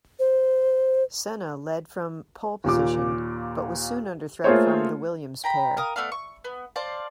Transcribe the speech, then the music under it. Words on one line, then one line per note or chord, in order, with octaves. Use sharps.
Senna led from pole position but was soon under threat from the Williams pair.
C5
D#2 A#2 D6
A3 A#3 F4 G#4 C5 C#5
G5 A#5 B5
A#4 F5 D#6
A3 B3 D5 F5
C#6
B3
C5 D5 F5 A5